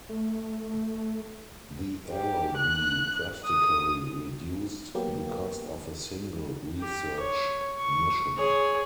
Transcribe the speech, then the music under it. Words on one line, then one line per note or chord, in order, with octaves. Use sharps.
The Aerobee drastically reduced the cost of a single research mission.
A3
G4
F#6
D#6
F#3 A#3 B3 G4
G4
C#5
C#6
G#4 C#5